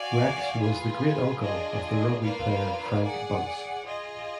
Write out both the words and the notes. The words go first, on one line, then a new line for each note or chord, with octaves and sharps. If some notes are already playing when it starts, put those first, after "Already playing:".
Rex was the great uncle of the rugby player Frank Bunce.
Already playing: F#4 D5 F5 G#5
F4 G#4 B4
D4 F4 G#4 D#5
A#3 D4 F4 B4 F5
G#4 D5 F#5
F4 G#4 D#5